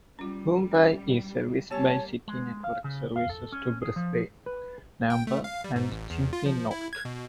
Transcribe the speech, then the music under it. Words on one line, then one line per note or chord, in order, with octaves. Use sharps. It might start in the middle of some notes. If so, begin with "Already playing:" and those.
Woombye is serviced by City network services to Brisbane, Nambour and Gympie North.
G3 C#4 F4
C#4 B5
G3 A#3 B3 G4 C#5 G#5 A5
G#3
F5
C#3
F5
A4
C#4
G#4
F3
B4
G5
A3
F5
G3
G#2
A1
E2
F4
F3
E4
G#6
B2